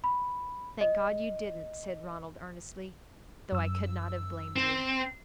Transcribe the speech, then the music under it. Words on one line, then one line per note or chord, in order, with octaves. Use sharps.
"Thank God you didn't," said Ronald, earnestly, "though I could not have blamed you."
B5
D#5
F#2 E6
C4